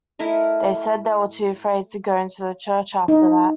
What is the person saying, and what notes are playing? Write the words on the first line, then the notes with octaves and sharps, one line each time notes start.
They said they were too afraid to go into the church after that.
A3 E4 A#4 D#5
D#4